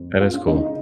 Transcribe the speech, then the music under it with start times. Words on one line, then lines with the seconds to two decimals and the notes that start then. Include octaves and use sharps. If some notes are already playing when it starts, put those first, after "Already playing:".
That is cool.
Already playing: F2
0.13 G#3
0.20 F4
0.34 C#4
0.47 D#4
0.54 C#3